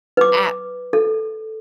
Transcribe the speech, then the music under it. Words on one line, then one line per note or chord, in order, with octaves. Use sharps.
at n
B4 D6
A4